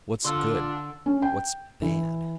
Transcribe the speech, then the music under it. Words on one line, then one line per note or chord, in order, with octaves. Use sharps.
What's good, what's bad?
D3 D4 F4 F#5 C6 E6
C#4
G5
E3